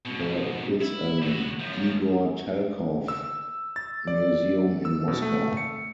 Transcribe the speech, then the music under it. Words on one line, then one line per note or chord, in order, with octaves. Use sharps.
There is an Igor Talkov Museum in Moscow.
G#2 B2
E4
A2 F#4
F#2 F3
E6
A6
D5
E6
B2
A3
C#7